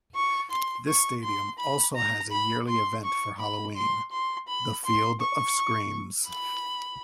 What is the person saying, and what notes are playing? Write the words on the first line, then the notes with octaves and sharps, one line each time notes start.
This stadium also has a yearly event for Halloween, the "Field of Screams".
C#6
C6
C#6
C6
B5
A#5
B5
C6
C#6
B5
C6
C6
B5
C6
C#6
B5